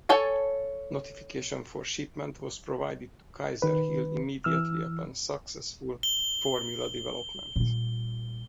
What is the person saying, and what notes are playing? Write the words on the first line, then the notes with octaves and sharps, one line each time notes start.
Notification for shipment was provided to Kaiser-Hill immediately upon successful formula development.
A4 C#5 G#5 A5
D#3 B4
E3 E6 F6
G7
A#2 G3